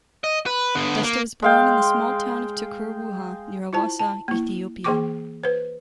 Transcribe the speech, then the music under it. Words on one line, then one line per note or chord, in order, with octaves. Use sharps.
Desta was born in the small town of Tiqur Wuha near Awassa, Ethiopia.
D#5
B4
D3 B3
A#3
G#3 F5 G5
E4 F4 C5 A5
A5
A#3 E4
E3 A#3 G#4 G5 C#6 D6
B4 C5